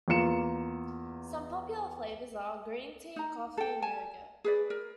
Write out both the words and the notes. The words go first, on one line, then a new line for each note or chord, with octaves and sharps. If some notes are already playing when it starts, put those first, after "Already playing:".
Some popular flavors are: green tea, coffee, and yogurt.
E2 A#3 F4 C#7 E7
D#4 A#5
A4 G5
G#5 A5
G#4 B4 D5
A#4